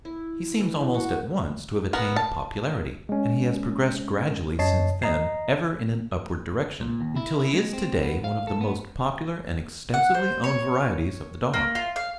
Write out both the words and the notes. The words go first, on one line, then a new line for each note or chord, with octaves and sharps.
He seems almost at once to have attained popularity, and he has progressed gradually since then, ever in an upward direction, until he is to-day one of the most popular and extensively owned varieties of the dog.
E4
E3
F#4
B3 A#4
A5
G#3 C#4
F#2 C#5 D#5 A5 C7
D#5 A#5 C7
A#2
D#2
E4
E4
G#3
C4
B3
F5
A4
B3
F#5
C5
C#5
A#3
F4
F5